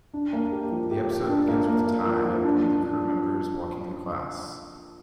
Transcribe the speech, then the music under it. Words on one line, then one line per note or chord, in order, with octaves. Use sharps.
The episode begins with Ty, one of the crew members, walking to class.
D4
A#3
G4
F3
G4
G4
D4
A#3
A#3
A#3
F3
F3
D4
F3
D4